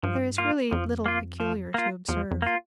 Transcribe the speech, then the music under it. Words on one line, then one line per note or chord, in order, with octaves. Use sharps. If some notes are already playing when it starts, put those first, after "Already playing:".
There is really little peculiar to observe.
G2 F3
A#3 F4
F2 F3
A#3 F4
F3
A#3 F4
E2 F3
F2
A#3 F4